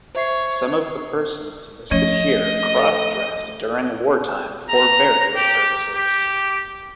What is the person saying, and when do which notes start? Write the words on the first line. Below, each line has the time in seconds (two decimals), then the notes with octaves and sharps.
Some of the persons listed here cross-dressed during wartime for various purposes.
0.15 C5 C#5 E5 C7
1.91 F3 A3 C#4 C#5 D#5
2.78 A4 F5
4.70 A#5
5.35 G4
5.94 G4